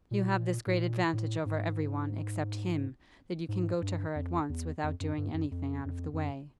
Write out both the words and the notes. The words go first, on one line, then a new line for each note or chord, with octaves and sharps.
You have this great advantage over every one, except him, that you can go to her at once without doing anything out of the way.
A#2
A2
A#2
A2
G#2
G#2
G2
F2
E2
F2
F#2
G2
F#2
F2
F#2
F2
F2
F2
F#2